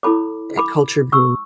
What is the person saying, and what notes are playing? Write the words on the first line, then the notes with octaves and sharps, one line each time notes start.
that culture being
E4 A4 C#5 B5 D6
B5 D6
C#6 E6